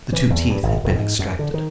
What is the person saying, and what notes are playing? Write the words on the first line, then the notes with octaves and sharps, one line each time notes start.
The two teeth had been extracted.
E3
E2
G2
G#1
D#1
G#2
F#2
D3
D#3